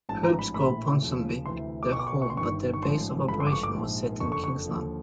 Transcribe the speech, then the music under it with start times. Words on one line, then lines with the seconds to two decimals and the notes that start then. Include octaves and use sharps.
Herbs call Ponsonby their home, but their base of operations was set in Kingsland.
0.09 A1 G#2 F3 A5
0.23 A#5
0.39 B5
0.54 A#1 A2 E3 B5
1.01 D#2 C#3 F3
1.46 D2 C3 E3 C6
1.83 D6
1.91 B1 C#6
1.96 B2 D6
2.07 C#6
2.22 C#6
2.30 C6
2.37 G1 G2 D#3 C#6
2.74 C#6
2.83 A1 G#2 F3 C6
3.28 G#1 G2 D3 F3 B5
3.40 C6
3.47 D6
3.52 C#6
3.63 D6
3.74 A#1 G#2 F3
4.20 F#1 F2 D3 C#6
4.32 C#6
4.44 C#6
4.66 D#2 D3 F3